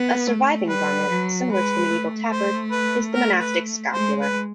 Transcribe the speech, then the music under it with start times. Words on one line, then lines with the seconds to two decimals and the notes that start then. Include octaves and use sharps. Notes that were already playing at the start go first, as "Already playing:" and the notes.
A surviving garment similar to the medieval tabard is the monastic scapular.
Already playing: B3
0.27 A3
0.68 G3 B4
1.08 F#3
1.49 G#3 B4
1.90 A3
2.31 C5
2.71 B4
3.13 A#4
3.39 B4
3.93 G#3 C5
4.21 B4